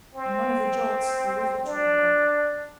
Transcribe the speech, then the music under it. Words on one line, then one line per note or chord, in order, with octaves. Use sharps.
In one of the jolts, the whiffle-tree broke.
C4
D4